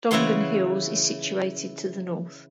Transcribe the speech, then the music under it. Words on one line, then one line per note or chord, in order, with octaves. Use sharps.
Dongan Hills is situated to the north.
C#3 E3 E4 C#5 F#5 C6